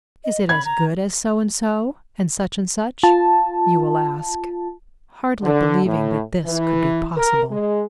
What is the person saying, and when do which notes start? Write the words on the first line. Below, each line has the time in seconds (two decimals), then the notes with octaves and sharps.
"Is it as good as SO-AND-SO and SUCH-AND-SUCH?" you will ask, hardly believing that this could be possible.
0.24 D#5
0.49 B5 G#6
0.65 A#5
3.03 F4 A5
5.41 D3
5.85 A2
6.44 E3
7.17 A#4
7.50 G#3